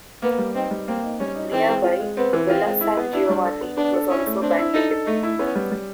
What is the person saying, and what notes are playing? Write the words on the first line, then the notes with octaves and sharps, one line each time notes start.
Nearby Villa San Giovanni was also badly hit.
A#3 B3
G3
C4 D#4
G3
A#3 C4
D#4
G3 C#4
D#4
E3 C4
G#3
F4
G#3
B3 C4
E3
C4 F4
G#3
E4
B3
D4 E4
G3
A4
B3
B3 D4
A4
C#4 E4
A3
C4 D4
E4
D#4 A4
A4
A3 D#4
E4
B3 C#4
G3
G3